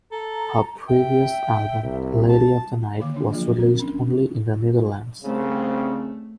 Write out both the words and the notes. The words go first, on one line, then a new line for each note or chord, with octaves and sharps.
Her previous album "Lady of the Night" was released only in the Netherlands.
A4 A#5
E5 G5
C2
A5
D3 D#3 A#3 F5 D6
D4 C#5
F3 F#3 A#3 F4 G#4 D5
C4 A#4
C#4 D4
C2 C#3 A3 C4